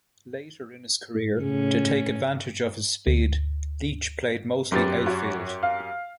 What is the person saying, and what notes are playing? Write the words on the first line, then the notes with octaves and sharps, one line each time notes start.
Later in his career, to take advantage of his speed, Leach played mostly outfield.
A2 C#3 C#4
D2
F#2 B3 C4 G4 A6
F#4 C#5
F5